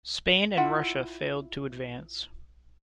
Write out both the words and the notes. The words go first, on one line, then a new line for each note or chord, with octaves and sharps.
Spain and Russia failed to advance.
E4 F4 E5 F#5